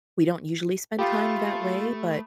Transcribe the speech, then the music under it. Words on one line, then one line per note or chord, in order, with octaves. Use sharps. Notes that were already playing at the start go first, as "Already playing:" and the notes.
we don't usually spend time that way, but
A3 F4 G4 B5 D#6